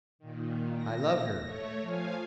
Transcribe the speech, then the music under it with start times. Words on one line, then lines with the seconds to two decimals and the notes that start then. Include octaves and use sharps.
I love her.
0.19 A#2 D#3
0.77 A#6
1.42 A3 C#5
1.81 F3 F5 G#5